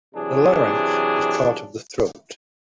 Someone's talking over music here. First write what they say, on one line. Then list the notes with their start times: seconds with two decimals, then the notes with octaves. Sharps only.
The larynx is part of the throat.
0.15 C3 E3 F#3 D4 G#4